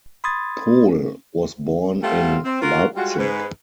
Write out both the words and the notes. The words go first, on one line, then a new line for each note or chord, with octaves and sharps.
Pohl was born in Leipzig.
B5 C6 D#6 G#6 A6
G3 A3 C4 F4 F5 F#5
C4
F4 F#4 A#4
G3 G#3 F4 F#4
G#2 B4